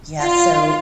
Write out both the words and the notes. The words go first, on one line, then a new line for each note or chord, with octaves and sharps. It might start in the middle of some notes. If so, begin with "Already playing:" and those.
Yeah, so
F4